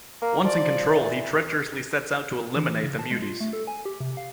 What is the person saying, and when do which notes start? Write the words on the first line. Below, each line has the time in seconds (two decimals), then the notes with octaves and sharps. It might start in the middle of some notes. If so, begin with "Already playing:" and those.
Once in control, he treacherously sets out to eliminate the muties.
0.22 A#3
0.44 F3 D5
0.89 E3
2.56 E3
2.83 C#3
2.99 A5
3.11 G#3
3.22 F4
3.40 A3
3.53 A4
3.67 G#5
3.85 G4
4.00 C3
4.17 F5